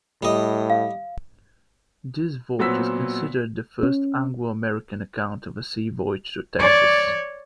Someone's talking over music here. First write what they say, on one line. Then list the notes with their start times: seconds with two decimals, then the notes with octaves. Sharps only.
This voyage is considered the first Anglo-American account of a sea voyage to Texas.
0.23 A2 G3 D#5
0.70 F5
2.59 A#2 F#3 B3 C4 E6 B6
3.83 C#4
6.59 C#5 D5